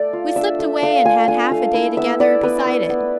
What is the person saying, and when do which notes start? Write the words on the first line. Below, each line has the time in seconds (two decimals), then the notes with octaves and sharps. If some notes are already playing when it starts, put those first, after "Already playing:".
We slipped away and had half a day together beside it.
Already playing: A3 D5
0.13 F4
0.36 D4 E5
0.59 A3
0.82 A3 F5
1.05 F4 G#5
1.28 D4 G#5
1.51 A3 F5
1.74 E4
1.97 B3 E5
2.20 E4 D5
2.43 B3 B4
2.66 E4
2.89 B3